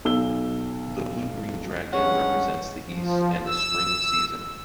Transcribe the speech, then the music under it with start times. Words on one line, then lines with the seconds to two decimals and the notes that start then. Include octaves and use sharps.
The Bluegreen Dragon represents the east and the spring season.
0.05 B1 E6 G7
1.92 G2 G#3 C#4 C#5 F#5
2.87 F3
3.47 E6